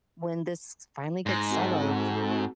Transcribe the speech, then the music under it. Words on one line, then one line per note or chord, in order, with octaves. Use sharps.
when this finally gets settled,
G#2 A#6
C4 F#4 A4